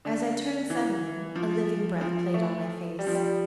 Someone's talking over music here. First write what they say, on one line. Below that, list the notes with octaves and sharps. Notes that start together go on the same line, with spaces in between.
As I turned suddenly, a living breath played on my face.
D3
E3
F3
F3
A3
G3
F3
G3